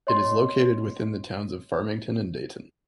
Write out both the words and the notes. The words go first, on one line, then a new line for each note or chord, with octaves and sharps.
It is located within the towns of Farmington and Dayton.
C#5 D#5 C6